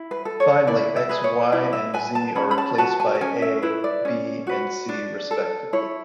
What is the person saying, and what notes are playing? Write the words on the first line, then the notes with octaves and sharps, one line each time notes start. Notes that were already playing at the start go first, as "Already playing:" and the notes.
Finally, X, Y and Z are replaced by A, B and C respectively.
Already playing: E4
B4
A4
C#5
E4 D5
E5
G#4 B4
C#5
E4 D5
E5
B4 G#5
A5
C#4 B5
B5
A5
F#4 B4 A5
G#5
A5
C#4 G#5
E5
E4 B4 E5
D5
C#4
F#4 B4
D4
A4
E4 C#5